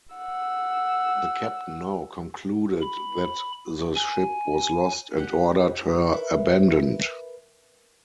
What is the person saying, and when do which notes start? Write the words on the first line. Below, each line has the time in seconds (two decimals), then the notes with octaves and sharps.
The captain now concluded that the ship was lost and ordered her abandoned.
0.15 F#5 E6
2.81 B5
3.95 G#5
5.17 D4 G4 F#5
6.13 E4 A#4 B4